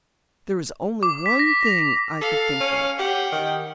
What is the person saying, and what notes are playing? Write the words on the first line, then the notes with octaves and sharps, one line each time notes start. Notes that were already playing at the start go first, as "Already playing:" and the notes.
There was only one thing I could think of.
D6
B6
A#6
F7
A4 F5
C#4
G4 F#5 G5
D#3